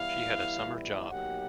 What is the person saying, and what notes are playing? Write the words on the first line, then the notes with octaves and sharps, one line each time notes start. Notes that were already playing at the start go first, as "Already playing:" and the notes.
She had a summer job.
Already playing: E3 G3 B3 E4 F5
B2 F#3 A#3 D#4 G4 F#5